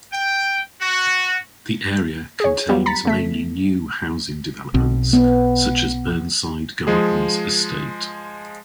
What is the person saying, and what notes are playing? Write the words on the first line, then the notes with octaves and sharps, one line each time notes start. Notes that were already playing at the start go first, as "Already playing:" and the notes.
The area contains mainly new housing developments such as Burnside Gardens Estate.
G5
F#4
G#4 C#5
F#3 G3 B3 F4 G4
A#5 B5 A6 B6 C#7
C#3 A3 B6
B1 B2 C4
B3
F3 G#3 G#4